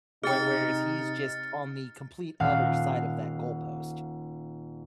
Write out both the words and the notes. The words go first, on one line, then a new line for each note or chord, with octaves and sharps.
where whereas he's, just, on the complete other side of that goalpost
C3 D#4 G#4 G5 F6 A6 C#7
D#1 F5 F#5 C7